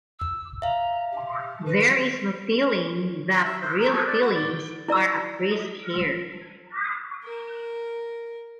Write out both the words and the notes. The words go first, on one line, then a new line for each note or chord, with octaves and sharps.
There is no feeling that real feelings are at risk here.'.
E6
E5 F5 A#5
G4
B4
E5
C5
A#4
A4
D5
F#4
D5
E4 D5 A#5 E6
A#4